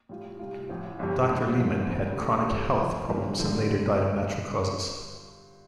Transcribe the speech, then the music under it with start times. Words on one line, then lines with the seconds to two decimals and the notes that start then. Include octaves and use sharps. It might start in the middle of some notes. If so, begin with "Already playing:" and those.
Doctor Limann had chronic health problems and later died of natural causes.
0.09 A2 G3 F4
0.39 C3 G3 F4
0.69 A1 A2 F3
0.99 G1 F2 C3 G3
1.29 A1 A2 G3
1.60 A1 G2 F3 A3
1.89 D2 C3 F3 C4
2.19 A1 A2 G3 D4 A4
2.49 C3 A3 F4 A4 C5
2.79 A2 F3 A3
3.09 G1 G2 G3 C4
3.39 G2 D3 F3 C4 A4